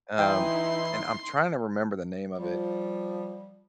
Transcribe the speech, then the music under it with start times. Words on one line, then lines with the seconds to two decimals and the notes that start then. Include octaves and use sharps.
um, and I'm tryna remember the name of it,
0.19 E3 D#4 E4 G5 C6
2.38 F3 G3